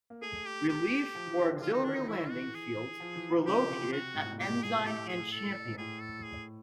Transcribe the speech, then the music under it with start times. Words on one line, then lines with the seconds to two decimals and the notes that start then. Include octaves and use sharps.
Relief or auxiliary landing fields were located at Ensign and Champion.
0.10 A#3
0.22 A3 G#4
0.46 G4
0.69 G4
1.15 F3
1.26 E3
1.38 D#3
1.49 D3
1.61 D3 F4
1.73 D#4
1.84 D#3 D4
1.96 D#4
2.08 E3 E4
2.31 F#4
2.54 G#4
3.00 F3
3.16 E3
3.31 F3
3.46 C#3 G4
3.65 C#3
3.70 C3
3.93 F#4
4.14 G#2
4.23 A2
4.31 A#2
4.39 B2 G4
4.63 G#4
4.85 A2 G4
5.08 G#4
5.32 A4
5.66 G#2
5.78 A2 G#4
6.01 A4
6.25 G#4